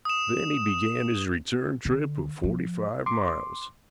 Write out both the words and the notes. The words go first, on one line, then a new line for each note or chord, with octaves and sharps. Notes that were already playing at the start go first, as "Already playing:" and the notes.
Then he began his return trip of forty-five miles.
D#6 E7
D3
F3
C6 D6